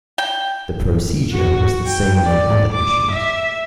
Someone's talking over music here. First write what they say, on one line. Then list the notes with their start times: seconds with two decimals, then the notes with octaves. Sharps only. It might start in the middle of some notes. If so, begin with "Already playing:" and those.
The procedure was the same in other issues.
0.18 G5
1.31 F#4
1.87 G5
2.25 D5
2.73 D6
3.11 E5